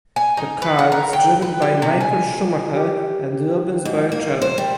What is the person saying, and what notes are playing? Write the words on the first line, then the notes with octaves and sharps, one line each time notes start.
The car was driven by Michael Schumacher and Rubens Barrichello.
G#5
D#4
B4
F#5
A#4
G5
B4
G3
C3
G#5
G4
G#2
A#3
C5
G3